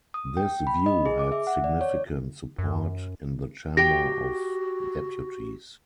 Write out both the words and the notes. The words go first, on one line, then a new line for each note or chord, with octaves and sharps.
This view had significant support in the Chamber of Deputies.
D#6
G5
B5
D#5
G#4
D6
E5
F#5
D5
C#5
F#2
F#4 G4 G5 A#6